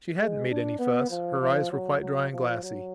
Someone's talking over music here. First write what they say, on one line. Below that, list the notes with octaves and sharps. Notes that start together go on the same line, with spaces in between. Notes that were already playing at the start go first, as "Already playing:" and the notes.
She hadn't made any fuss; her eyes were quite dry and glassy.
G#3
D4
B3
F3
F3
F#3
F#3
F3
F#3